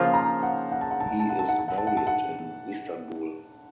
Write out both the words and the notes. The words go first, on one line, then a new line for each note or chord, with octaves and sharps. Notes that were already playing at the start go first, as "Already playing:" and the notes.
He is buried in Istanbul.
Already playing: C#3 F3 A#3 F4 C5
A#5
F#5
F#5
A5
F#5
A5
F#5
A5
F#5
A5
F#5
A5
F#5
A5
F#5
A5
F#5